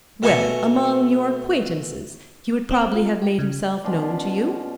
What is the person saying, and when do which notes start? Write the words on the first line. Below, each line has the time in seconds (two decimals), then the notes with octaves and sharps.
"Well, among your acquaintances--he would probably have made himself known to you?"
0.23 B2 A3 G#5 C#6
2.71 C4
2.95 F4
3.22 G4
3.39 C#3
3.84 B2 C#4 D4 F4